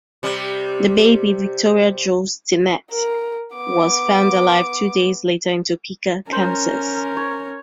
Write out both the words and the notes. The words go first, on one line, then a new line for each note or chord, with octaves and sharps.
The baby, Victoria Jo Stinnett, was found alive two days later in Topeka, Kansas.
C3 G3
A#4
B3 D6
C#4 A#4 C5 A#5
C#5